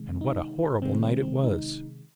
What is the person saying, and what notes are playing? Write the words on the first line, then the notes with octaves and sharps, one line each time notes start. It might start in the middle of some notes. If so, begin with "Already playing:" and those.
And what a horrible night it was!
Already playing: C3 D#3 G#3
D#4
C3 D#3 G#3 C4
C4
C4
D#4